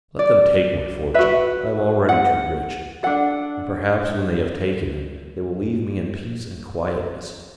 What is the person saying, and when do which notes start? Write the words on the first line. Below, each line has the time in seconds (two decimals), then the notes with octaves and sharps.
Let them take my fortune, I am already too rich; and, perhaps, when they have taken it, they will leave me in peace and quietness.
0.19 D5
1.14 F#4 B4 E5
2.09 F#5
3.03 D4 A4 F#5